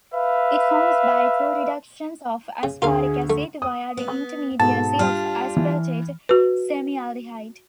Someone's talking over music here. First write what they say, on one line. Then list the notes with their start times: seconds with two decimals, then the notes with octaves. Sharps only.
It forms by two reductions of aspartic acid via the intermediacy of aspartate semialdehyde.
0.14 B4 E5 F5
2.63 C#3
2.82 D2 D3 F4 G#4 A#4 F5
3.30 A3
3.62 D#6
3.97 B3
4.60 G#2 B2 A4 A5
4.99 G3 D4 F4 F6
5.57 E3
6.29 F#4 B4